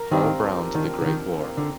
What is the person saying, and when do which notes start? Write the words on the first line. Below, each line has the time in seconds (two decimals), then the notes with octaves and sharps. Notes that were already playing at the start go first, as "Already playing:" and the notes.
Hall Brown to the great war.
Already playing: A#4
0.11 D#3 C4 G4 D5 F5
0.43 F3 A#3 D#4
0.74 D#3 A#3 D4 F4 A#4
1.01 D3
1.06 D#3 D#4 G4 C5
1.37 A#3 F4 C5
1.57 D3